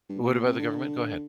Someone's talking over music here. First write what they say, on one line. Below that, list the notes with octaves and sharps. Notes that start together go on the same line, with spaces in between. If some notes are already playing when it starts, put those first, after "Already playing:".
What about the government? Go ahead.
G2
A#2
A#2
C3
D3